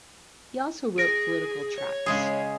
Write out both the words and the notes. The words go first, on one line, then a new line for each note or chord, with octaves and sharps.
He also wrote political tracts.
G#4 A#6 D7
C#5
C#3 G#3 G#4